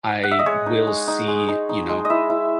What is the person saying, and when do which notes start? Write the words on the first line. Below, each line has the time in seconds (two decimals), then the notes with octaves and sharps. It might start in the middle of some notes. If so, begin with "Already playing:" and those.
I will see, you know,
0.23 F#5
0.31 E5
0.39 D#5
0.46 G#3 C#5
0.66 D#4
0.87 G#3
1.08 D#4
1.28 G#3
1.48 D#4
1.69 D#4
1.89 G#3
2.05 D#5
2.10 E4 E5
2.30 E4